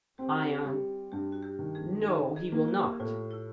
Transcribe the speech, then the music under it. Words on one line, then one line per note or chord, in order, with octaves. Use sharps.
ION: No, he will not.
C4 G4
F#4
G4
G3 G4
G2 G4
F#4
G4
D#3
G#4
D#4 G#4
G#4
A#3
G4
A2 F4
E4